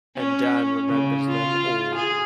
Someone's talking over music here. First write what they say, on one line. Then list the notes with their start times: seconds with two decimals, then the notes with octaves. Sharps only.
And Dan remembers them all.
0.17 C#4
0.88 C#3
1.29 F4
1.95 G#4